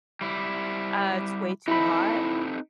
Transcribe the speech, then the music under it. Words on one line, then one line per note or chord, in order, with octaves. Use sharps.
Uh, it's way too hot.
G3 E4
C4 D#4 E4 A4 B5